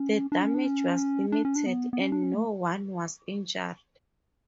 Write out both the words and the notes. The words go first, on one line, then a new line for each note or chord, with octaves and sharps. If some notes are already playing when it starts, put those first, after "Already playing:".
The damage was limited, and no one was injured.
Already playing: C#4
D4
C#4
D4
C#4
D4
C#4
D4
B3
B3
C#4
D4
C#4
A3